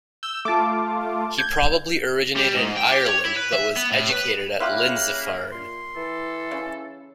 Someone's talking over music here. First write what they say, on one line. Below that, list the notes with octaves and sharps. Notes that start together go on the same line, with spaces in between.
He probably originated in Ireland but was educated at Lindisfarne.
E6 G6
A3 F4 A5 D6
G6 G#6
G3
G#2
G5
G4
C#5
E4
B4
E5
B3
A2
B4
C#3 A#3 E4 F4 G4 B5 F#6
A#2 C6
E3 A4
C#3